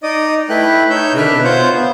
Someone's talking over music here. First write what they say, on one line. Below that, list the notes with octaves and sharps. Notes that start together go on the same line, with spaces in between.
Yeah, man.
D#4 D5 D#5 D#6
A3 E4 B4 G5 F#6
D#4 C#5 E6 G6
D4 B4 E5 F6 F#6
F4 C5 C#5 F#5 G6
B3